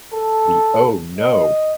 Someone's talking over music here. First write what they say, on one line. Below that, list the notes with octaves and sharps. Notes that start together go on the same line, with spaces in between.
The oh no!
A4
D#5